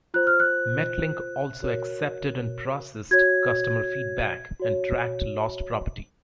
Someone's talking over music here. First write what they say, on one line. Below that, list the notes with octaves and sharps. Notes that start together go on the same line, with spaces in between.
Metlink also accepted and processed customer feedback, and tracked lost property.
F4 C5 F#6
F6
F#6
F#4 A#4 C#5
F#4 C#5 G#6
F#4 C#5